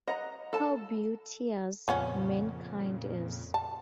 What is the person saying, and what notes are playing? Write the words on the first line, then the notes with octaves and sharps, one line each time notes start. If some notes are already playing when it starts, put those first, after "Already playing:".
How beauteous mankind is!
D#5 F#5 A#5
A4 A5
F2 A#2 C#3 F3 B3 C#4
A5